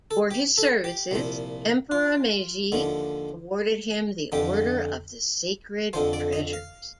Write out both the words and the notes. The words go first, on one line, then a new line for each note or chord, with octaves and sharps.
For his services, Emperor Meiji awarded him the Order of the Sacred Treasures.
A4
G4
A4
G4
C2 A#2 F3
F4
D#2 D3 F3
F2 D3 F3 G4
F2 D3 F3 C5
D5
D#5
F5